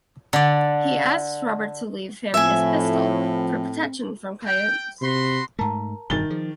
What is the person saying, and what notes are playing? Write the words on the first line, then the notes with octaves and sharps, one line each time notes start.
He asks Robert to leave him his pistol, for protection from coyotes.
D3 D5
A2 F3 C4 E5 G#5
G5
C3 F#4 B5 C6
G#2 A3 A#4 A5 A#5
E1 G2 B2 D#3 A6 G7
F3 G#4